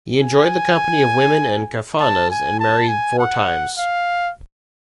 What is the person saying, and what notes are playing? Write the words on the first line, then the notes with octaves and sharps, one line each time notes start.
He enjoyed the company of women and "kafanas" and married four times.
G#5
A5
G#5
A5
G#5
F#5
F5